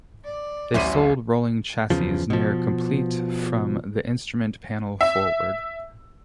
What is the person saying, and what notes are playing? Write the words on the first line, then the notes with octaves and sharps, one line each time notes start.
They sold rolling chassis, near-complete from the instrument panel forward.
D5
D1 A1 F#3 E4 C5 B5 D#7
E2 C#3 F3
B2 F3
E5